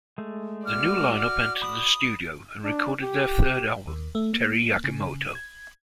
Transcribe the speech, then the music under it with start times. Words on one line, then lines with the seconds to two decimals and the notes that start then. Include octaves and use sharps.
The new lineup entered the studio and recorded their third album "Teri Yakimoto".
0.18 G#3 A3
0.66 F#4 D5 F6
1.19 F6
1.62 B5 D#6
2.64 D4
3.02 G4
3.87 D#2
4.15 A3
4.33 A#3
4.84 C#3
5.35 G#6